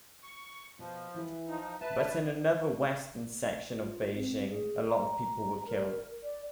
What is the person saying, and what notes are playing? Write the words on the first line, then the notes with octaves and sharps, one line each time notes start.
But in another western section of Beijing, a lot of people were killed.
C#6
B2 F3
E3 E4 B4
F3 D#4
B4 E5 A5
F4
C4
G#4
A#5
A#4
D5